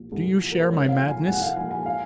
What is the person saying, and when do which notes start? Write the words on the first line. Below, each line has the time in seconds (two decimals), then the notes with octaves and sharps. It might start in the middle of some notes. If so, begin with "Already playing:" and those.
Do you share my madness?
Already playing: C2 A#2 F3
0.12 C2
0.41 A#2 F3
0.52 A#4
0.61 C5
0.70 C2 C#5
0.89 F5
0.98 A#2 F3
1.08 G#5
1.28 C2 F#5
1.42 F5
1.56 A#2 F3 G#5
1.71 G#5
1.86 F5